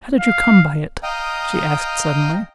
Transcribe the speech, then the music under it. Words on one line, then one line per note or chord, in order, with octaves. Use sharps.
"How did you come by it?" she asked, suddenly.
F5
D#5 F5 G5 A#5 D#6